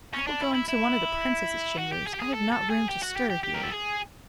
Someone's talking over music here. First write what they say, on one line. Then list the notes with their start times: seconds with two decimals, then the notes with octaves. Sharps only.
"I will go into one of the Princesses' chambers; I have not room to stir here."
0.13 C#4
0.27 D4
0.41 E4
0.54 E4
0.69 E4
1.79 F#4
1.92 G4
2.07 G#4
2.13 G4
2.20 G#4
2.33 A4
2.52 A4
2.70 G#4
2.89 G4
3.03 F#4
3.17 G4
3.30 G4
3.43 G4
3.54 A#4
3.63 A4
3.72 G#4